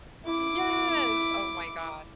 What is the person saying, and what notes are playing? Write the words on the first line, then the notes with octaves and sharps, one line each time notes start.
Yes, oh my gosh.
E4 D6